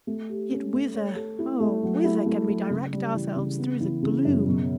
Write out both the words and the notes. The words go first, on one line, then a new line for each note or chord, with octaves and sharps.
Yet, whither--oh! whither, can we direct ourselves through the gloom?
A3
G4
C#4
A3
C#5
A4
E4
A3
F#3
E4
A3
F#3
C#3
G3
E3
C#3
B3
E3
C#3
F#2
B2